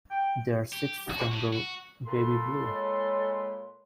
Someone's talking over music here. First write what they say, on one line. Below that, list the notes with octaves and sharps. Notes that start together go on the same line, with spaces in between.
Their sixth single, Baby Blue!
G5
G4
F#4
A2
F#4
A#2 A4 B4 C6
G#3 C#5